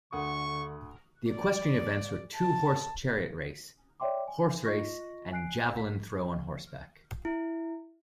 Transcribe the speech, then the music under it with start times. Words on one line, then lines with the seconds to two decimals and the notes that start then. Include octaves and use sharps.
The equestrian events were two-horse chariot race, horse race, and javelin throw on horseback.
0.13 D2 D3 F#5 C#6 D#6
1.30 D5
2.36 A5
4.00 C#5 D5 E5 G5 C6 D6
4.28 G#5
4.64 F4 D#5 C#6 A#6
5.32 G#5 F#6 C7 D7
5.77 B6
7.25 E4